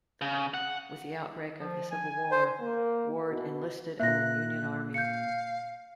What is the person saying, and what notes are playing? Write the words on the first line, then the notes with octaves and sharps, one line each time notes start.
With the outbreak of the Civil War, Ward enlisted in the Union Army.
C#3
F#5
F3
G#5
C5
A#3
B2
A#2 A#3 E5 F#6 A#6
F5 G6 C#7